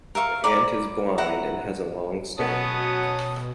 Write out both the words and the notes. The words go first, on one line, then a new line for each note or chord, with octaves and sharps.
The ant is blind and has a long sting.
A#4 E5 F5 C#6
D5 A#5 B5 D6
E4 F#5 A#5
B2 F#3 B3 C#4 A5 D#6